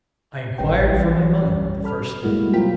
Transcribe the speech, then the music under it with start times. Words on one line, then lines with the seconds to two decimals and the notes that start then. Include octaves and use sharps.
I inquired for my mother the first thing.
0.58 A1 G3 C#4 B4 G5
0.81 B1 E3
1.42 G3 C#4
1.84 A4 B5 F6
2.23 B2 G3 G#3 A#3 E4 F#4
2.53 F#3 C4 F4 A#4 G5 B6